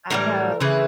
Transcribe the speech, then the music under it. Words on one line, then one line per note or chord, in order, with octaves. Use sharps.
I have
A2 E3 G3 A#4
C#3 E3 A3 C4 B4